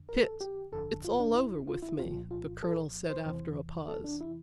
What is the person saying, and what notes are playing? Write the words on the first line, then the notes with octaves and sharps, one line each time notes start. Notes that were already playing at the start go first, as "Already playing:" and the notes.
"Pitt, it's all over with me," the Colonel said after a pause.
Already playing: F2 D3
A#4
A4
G4
G1 F2 D3 A4
F4
D4
E4
F4
E4
C2 A#2 F3 F4
F4
A4
C5
E2 C3 E3 C5
A4
D4
E4